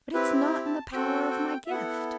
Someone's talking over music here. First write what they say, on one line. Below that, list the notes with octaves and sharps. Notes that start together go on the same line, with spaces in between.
But it's not in the power of my gift.
C4 E4 G4 B4
A5
C4 F#4 A4 G5
G5
E5
B3 E4 A4 F#5